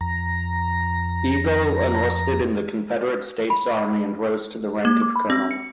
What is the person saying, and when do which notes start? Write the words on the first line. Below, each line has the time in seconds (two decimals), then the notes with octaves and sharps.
Eagle enlisted in the Confederate States Army and rose to the rank of Colonel.
0.01 F2 A#5
3.50 B5
4.85 A#3
5.02 D6
5.16 B5
5.30 C4
5.51 C#7